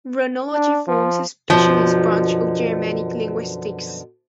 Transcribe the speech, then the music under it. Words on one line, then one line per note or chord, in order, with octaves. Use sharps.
Runology forms a specialized branch of Germanic linguistics.
D4
F3
F#2 B2 D3 F3